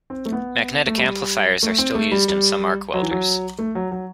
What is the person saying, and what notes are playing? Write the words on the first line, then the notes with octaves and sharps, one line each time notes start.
Magnetic amplifiers are still used in some arc welders.
C4
A3
B3
A3
G3
A3
C4
A3
G3
G3
F#3
E3
F#3
A3
F#3
F#3